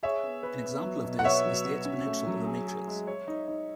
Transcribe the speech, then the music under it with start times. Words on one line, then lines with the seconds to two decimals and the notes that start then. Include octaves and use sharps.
An example of this is the exponential of a matrix.
0.03 G#4 C#5 E5
0.23 B3
0.43 B4
0.64 B3
0.84 F#3
1.05 B2
1.19 F#5
1.24 B3 C#5 E5
1.45 F#3
1.65 F#4
1.85 C#4
2.06 A3
2.27 F#3
2.47 G#4
2.67 G#4
2.87 G#3
3.07 C#5
3.28 D#4
3.48 D#4